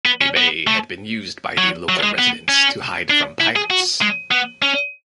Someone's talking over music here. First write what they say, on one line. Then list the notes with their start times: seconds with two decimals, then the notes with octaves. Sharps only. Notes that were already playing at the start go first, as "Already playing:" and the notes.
The bay had been used by the local residents to hide from pirates.
0.06 B3
0.21 C#4
0.37 B3
0.67 A3
1.58 F#3
1.89 F#3
2.03 G#3
2.19 B3
2.49 C#4
3.10 D4
3.40 E4
3.56 G#4
3.70 F#4
4.02 G#3
4.31 B3
4.62 C#4